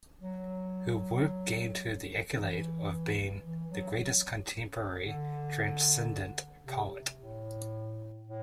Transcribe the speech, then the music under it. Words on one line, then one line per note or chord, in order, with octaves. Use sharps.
Her work gained her the accolade of being "the greatest contemporary transcendent poet".
F#3
E3
E3
F#3
D3
C3
A2
A2